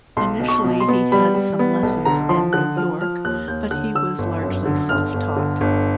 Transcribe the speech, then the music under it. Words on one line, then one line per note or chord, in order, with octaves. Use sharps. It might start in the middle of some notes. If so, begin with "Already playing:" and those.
Initially he had some lessons in New York, but he was largely self-taught.
B1 C6
B2
C#6
B2
C6
B3
G3 B5
G3
B3
B1
D3 A#5
F3 C6
D3 F#6
F3 F6
F3 F6
D#2 F#6
D#2 G6
D3 F#6
D3 E6
G1
F#2
D3
G1 F6
G1
D3
G1